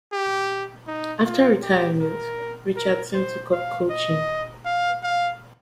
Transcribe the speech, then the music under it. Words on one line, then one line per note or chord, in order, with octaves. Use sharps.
After retirement, Richardson took up coaching.
G4
D#4
F4
G4
A#4
A#4
C5
F5
D#5
F5
F5